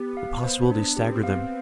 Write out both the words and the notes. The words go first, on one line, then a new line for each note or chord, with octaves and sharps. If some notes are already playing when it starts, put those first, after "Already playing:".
The possibility staggered them.
Already playing: B3 G4
F5
C5
B3 D4
G4
C4
F5